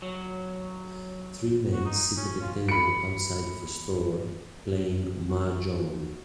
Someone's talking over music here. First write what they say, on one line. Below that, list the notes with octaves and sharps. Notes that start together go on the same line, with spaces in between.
Three men sit at a table outside of a store, playing Mahjong.
F#3
F#4
D#4
C#4
F4
B5 C#7
F#4